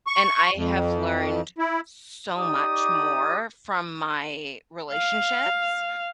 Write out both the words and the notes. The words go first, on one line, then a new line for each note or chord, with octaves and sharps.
and I have learned so much more from my relationships,
C#6
F2
E4
D#4 G4 D5 D#6
F5